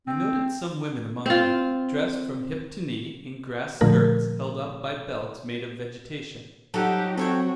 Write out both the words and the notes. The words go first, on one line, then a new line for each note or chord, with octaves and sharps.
I noted some women among them, dressed from hip to knee in grass skirts held up by belts made of vegetation.
C4
C4 F4
A#2 D3 F3 A3 A#4
F#3 D#4 G4 A4 F#5
C4 F#4 A4 C#5 G5